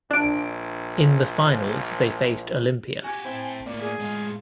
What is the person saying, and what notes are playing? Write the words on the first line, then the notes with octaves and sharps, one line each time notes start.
In the finals they faced Olimpia.
A#1 D4 D7
F#4 G4 G#5
C4 E4 A4
A2 A#3 D5
G#4
A2 G#3 F4